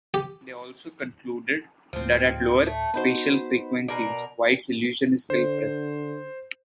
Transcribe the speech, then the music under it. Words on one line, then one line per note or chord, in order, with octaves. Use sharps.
They also concluded that at lower spatial frequencies White's illusion is still present.
G4
D2 A2 F3 C4
A3
B3 D#4 F#4 B4 C5
B2 A#4 D5
D3 C5